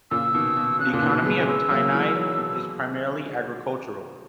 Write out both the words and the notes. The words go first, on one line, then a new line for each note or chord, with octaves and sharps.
The economy of Tainai is primarily agricultural.
A#2 C#3 E6
B2 D#3
B2
C#3 F#6
B2
A#2 C#3
B2 D#3 F#6
G#3 B3
C#4
G#3 B3 E6
F#3 A#3
E3 G#3
D#3 F#3
B2